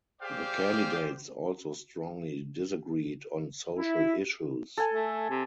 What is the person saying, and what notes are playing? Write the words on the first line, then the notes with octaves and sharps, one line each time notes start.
The candidates also strongly disagreed on social issues.
G4 G#4 C5 D5 F5 G5
E4
A4 G#5
A3
C3